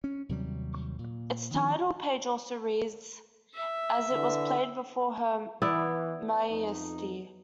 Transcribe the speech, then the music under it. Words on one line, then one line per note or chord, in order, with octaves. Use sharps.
Its title page also reads: As it was played before her Maiestie.
C#4
D#2 C3 F#3 G3
A#2
D#3 F3 C4 D4
E5
D3 E3
E3 B3 E4 D5
F2 D#4